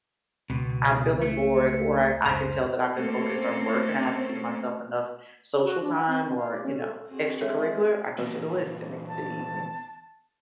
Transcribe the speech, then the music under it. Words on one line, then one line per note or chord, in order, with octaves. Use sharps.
I'm feeling bored, or I could tell that I've been focused on work and I haven't given myself enough social time or, you know, extracurricular, I go to the list. It makes it easy.
C#2 B2
A3
C#2 F#2 A2 C5 A#5
A3 A#3 C4 C#4 A4 C5
F#4
D4
F#5
C4
C4
F5
D5
C#4
A4
C4 F#4 G#4
G#3 A4 C#5 E5
E2 A#2
A5